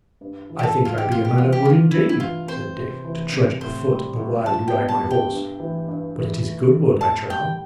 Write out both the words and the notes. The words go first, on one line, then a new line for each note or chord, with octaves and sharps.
"I think I be a man of wood, indeed," said Dick, "to trudge afoot the while you ride my horse; but it is good wood, I trow."
G2
E3
G4
A4
E4
F4
G4
C3
F4
G4
E3 F4
G4
D4 F4
G2 E4
E4
E3 F4
C4 C5
C3
E3
C3
A2 C5
G3
A2
F3 A5
G5
B3
A5
G4
G5
G2
E3
G2
E3
A3
A4
A2 A5
G3 G5